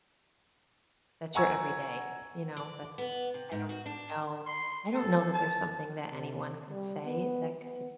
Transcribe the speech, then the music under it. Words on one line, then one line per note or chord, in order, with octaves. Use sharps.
that's your every day, you know? That's I don't even know I don't know that there's something that anyone could say that could
F#5 G#5 A#5 C#6 E6 G#6
D5
B3
C3
G#2
F#4
D4
C6
A4
A5
C3
G3
B3
B3